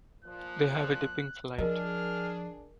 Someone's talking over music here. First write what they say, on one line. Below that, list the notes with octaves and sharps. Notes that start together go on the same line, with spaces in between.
They have a dipping flight.
A#2 F3 F#6
F3 D4 F4 G#4 A#4 D#5 F6